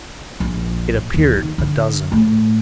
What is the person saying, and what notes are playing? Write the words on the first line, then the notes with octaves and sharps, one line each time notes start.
It appeared a dozen.
A#1
D#2
D#3
D3
A2